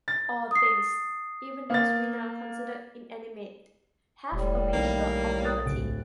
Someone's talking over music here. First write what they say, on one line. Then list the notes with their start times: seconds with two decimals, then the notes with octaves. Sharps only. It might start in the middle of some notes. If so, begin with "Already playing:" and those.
All things, even those we now consider inanimate, have a measure of liberty.
0.08 A6
0.51 D#6 C7
1.70 A#3 A6
4.32 E1 A2 G3
4.73 B1 D#3 A#3
5.45 D#6 F#6 A6
5.66 D1 D7